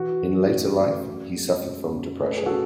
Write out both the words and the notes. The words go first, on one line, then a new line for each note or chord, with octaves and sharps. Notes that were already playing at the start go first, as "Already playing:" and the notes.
In later life, he suffered from depression.
Already playing: E3 F#4
F#2
C#4
A3
F#2
G#3
F#2
F#2
A3 B4
A4
G#4
C#4 F#4 A4